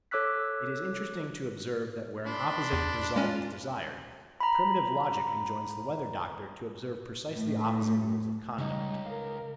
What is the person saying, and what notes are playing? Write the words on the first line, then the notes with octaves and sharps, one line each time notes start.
It is interesting to observe that where an opposite result is desired, primitive logic enjoins the weather-doctor to observe precisely opposite rules of conduct.
A4 C#5 D6 E6 F#6 B6
D4 B5 C6
E2
G#3 C#4 F4
A#5 B5
A2
C#2 C#3 G3 D#4 C#5
A#4 F5